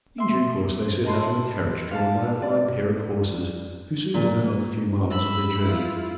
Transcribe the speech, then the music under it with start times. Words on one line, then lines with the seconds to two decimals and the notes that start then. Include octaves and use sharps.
In due course, they set out in a carriage drawn by a fine pair of horses, who soon devoured the few miles of their journey.
0.18 E5 C6
1.05 D#5 A5 B5 C6
1.91 F5 A5
2.42 D5
4.14 A#2
5.10 B5 E6
5.60 E4 F4